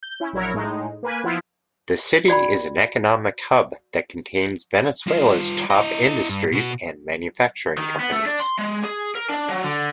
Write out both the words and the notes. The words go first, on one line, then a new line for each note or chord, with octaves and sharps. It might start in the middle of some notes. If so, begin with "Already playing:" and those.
The city is an economic hub that contains Venezuela's top industries and manufacturing companies.
G6
C#4 E4
A#1 F#3 E4 A#4 C#5
A2 G#3 D#4
A#3 B4 G#5
F3 B3 E4 F4
F#4 D5 G5 B5
G3 F4
E4 D#5
G2
B2 F#4
D#3
B3
A3
D4
C6
G#3
G#4
A#4
D4
F#3
D3